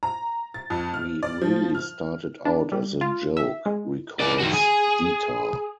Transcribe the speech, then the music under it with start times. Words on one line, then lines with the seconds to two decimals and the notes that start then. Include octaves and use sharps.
"We really started out as a joke," recalls Detar.
0.03 A#5
0.54 A6
0.70 F2
0.94 F6
1.23 D5
1.42 F3
1.75 F6
2.45 D4
2.72 G3
3.01 F4
3.37 E5
3.66 G#3
4.20 E4 D5
4.39 D#3 F#4
4.53 G#4